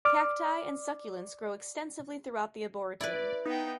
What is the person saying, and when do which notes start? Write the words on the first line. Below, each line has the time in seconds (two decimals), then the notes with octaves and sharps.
Cacti and succulents grow extensively throughout the Arboretum.
0.05 D5 D6 F6
3.01 E4 B4 D5
3.46 B3 D#4 G5